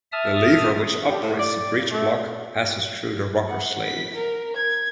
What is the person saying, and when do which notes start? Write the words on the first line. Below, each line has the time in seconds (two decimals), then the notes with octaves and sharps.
The lever which operates the breech-block passes through the rocker-sleeve.
0.12 E5 A5 D#6 F6
1.09 G4
1.23 A2
1.39 D5
1.76 C#3
1.90 A3
3.48 F#5
3.83 B6
4.15 A#4
4.57 G#6